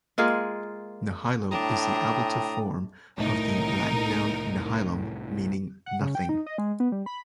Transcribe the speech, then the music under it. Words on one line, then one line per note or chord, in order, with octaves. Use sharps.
'Nihilo' is the ablative form of the Latin noun 'nihilum' meaning 'Nothing'.
G#3 A#3 F4 G#4
A2 D4 G5 A#5 D#6
C2 A2 A3 D#4 A#4
F#5
C#3
G5
D#4
D#5
G#3
B3
G3
B5